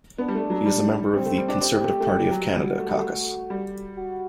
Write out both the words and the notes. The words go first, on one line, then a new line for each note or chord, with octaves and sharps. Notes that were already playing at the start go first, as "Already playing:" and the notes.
He is a member of the Conservative Party of Canada caucus.
B3 D4
G3
A3
F#3
G3
G3 C4
A3
G3
D4
C4 G4
A3
A3
G3
F#3
G3 F#4
A3
G3
A3
G3
F#4